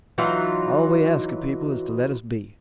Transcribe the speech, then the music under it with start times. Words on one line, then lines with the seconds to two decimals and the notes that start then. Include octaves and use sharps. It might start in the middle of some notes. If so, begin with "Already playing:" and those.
All we ask of people is to let us be.
0.18 E3 F#3 D#4 F4